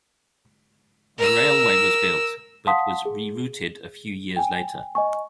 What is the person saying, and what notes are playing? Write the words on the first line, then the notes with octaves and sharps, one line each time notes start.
A railway was built but was re-routed a few years later.
A#4 E6
F5 F#5 A5 C6 D#6 B6
G#4
G5 G#5
D#5 G#5 C#6